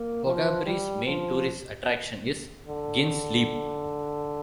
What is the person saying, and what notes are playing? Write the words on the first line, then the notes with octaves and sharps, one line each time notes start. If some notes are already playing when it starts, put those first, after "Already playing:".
Boggabri's main tourist attraction is Gin's Leap.
Already playing: A#3
F3
G3
F3
D3